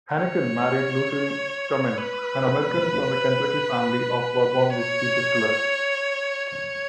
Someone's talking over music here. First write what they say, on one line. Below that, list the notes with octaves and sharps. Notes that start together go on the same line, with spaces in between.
Heineken married Lucille Cummins, an American from a Kentucky family of bourbon whiskey distillers.
C#5
B4
C#5
C#5